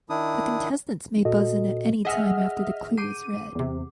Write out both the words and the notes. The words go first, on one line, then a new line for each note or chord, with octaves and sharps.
The contestants may buzz in at any time after the clue is read.
D#3 D4 E4 D#6
A#2 F#4 A4 D#5
G#4 D#5 E5 F#5 F6
D6 G6 C7 D#7
E2 C3